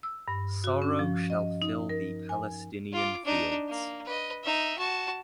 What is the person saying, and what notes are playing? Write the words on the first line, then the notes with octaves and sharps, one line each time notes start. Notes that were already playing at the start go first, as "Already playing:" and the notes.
Sorrow shall fill the Palestinian fields.
E6
G2
F#4
C#4
F3
D#5
D#4
A#4
G#5
F4 D6
D4 D#4
A#3
B4 D#5
D#4 E5
F#4 A5